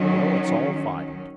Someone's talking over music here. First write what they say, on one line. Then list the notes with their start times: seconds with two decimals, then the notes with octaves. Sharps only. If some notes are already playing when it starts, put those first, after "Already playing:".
"Well, it's all filed."
Already playing: D#3 F#3 C#4